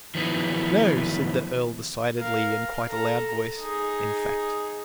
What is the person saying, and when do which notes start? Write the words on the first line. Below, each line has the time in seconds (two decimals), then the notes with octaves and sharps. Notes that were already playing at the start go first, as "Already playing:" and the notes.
"NO!" said the Earl decidedly--in quite a loud voice, in fact.
0.15 D#3 F3 F#3 B3 D#4 E4
2.19 A#4 F5
2.87 A4 A#5
3.59 D#4 G#4